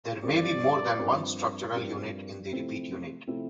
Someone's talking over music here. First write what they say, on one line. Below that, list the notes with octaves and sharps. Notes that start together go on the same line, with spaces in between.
There may be more than one structural unit in the repeat unit.
G2 F3 C4 G4 A#4 D5
G2 F3 C4 G4 A#4
G2 F3 C4 G4 A#4
C3 F3 A3 C4 E4
C3 F3 A3 C4 E4